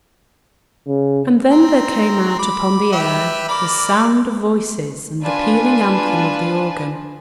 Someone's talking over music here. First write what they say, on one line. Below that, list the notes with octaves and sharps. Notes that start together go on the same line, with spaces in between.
And then there came out upon the air the sound of voices and the pealing anthem of the organ.
C#3
C4 A#5
B5 D6
G4 B4 E5
A#3 D5 B5
D4 F4 B4 G#5 A5